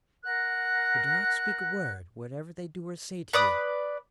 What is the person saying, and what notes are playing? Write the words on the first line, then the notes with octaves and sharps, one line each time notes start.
But do not speak a word, whatever they do or say to you.
A#4 F#5 F#6
B4 D5 D#6